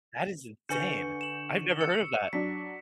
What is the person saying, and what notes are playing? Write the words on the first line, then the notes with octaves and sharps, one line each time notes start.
That is insane. I've never heard of that.
D3 B4 G#5 C#6 G6 C#7
E7 F#7
E6 C#7
F#3 D4 B6